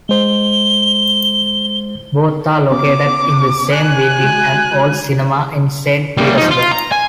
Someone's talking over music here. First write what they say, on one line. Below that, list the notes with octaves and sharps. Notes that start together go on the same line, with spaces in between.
Both are located in the same building, an old cinema in Saint Petersburg.
G#3 C5 G7
B3 C#4 D6
G#5 F#6
G#3 F#4
G3 A#3
F3 D#4
F4
A#5
G#5